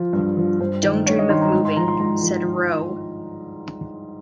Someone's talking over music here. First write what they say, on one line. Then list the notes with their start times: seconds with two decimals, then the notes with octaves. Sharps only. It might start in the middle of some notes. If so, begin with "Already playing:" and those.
"Don't dream of moving," said Rowe.
Already playing: F3
0.13 G2
0.37 F3
0.60 G2 C5
0.83 D#3
1.06 G2 C#5
1.19 D#5
1.29 D#3 C6
1.41 A#5
1.53 G#2
1.65 C6
1.76 F3 A#5
1.88 C6
1.99 G#2 A#5
2.23 F3